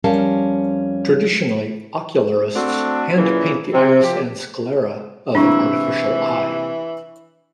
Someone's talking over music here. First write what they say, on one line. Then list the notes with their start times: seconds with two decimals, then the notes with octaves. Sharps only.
Traditionally ocularists hand paint the iris and sclera of an artificial eye.
0.04 F2 G3 C#4 A#4 F5 A5
2.54 A3 C4 D4 F#4 A4
3.16 A#2 C#3 E3
3.72 C3
4.01 F3 G4
5.35 C3 E3 A#3 D4 E4 B5 C#6 E6